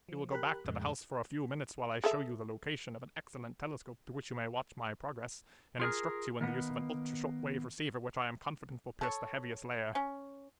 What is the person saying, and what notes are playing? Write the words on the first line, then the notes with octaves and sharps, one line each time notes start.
We will go back to the house for a few minutes while I show you the location of an excellent telescope through which you may watch my progress, and instruct you in the use of an ultra-short-wave receiver which I am confident will pierce the Heaviside layer.
F3
G4 A#4 B5 F#6
F2 A2 C#3 G#3
G#4 A4 E5
F4 G#4 A#4
D#3 A#3 B3
A4 C#5
C#4